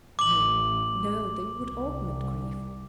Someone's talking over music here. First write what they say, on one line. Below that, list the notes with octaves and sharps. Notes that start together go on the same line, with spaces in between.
No, no, they would augment grief.
A1 D6 F#7
C2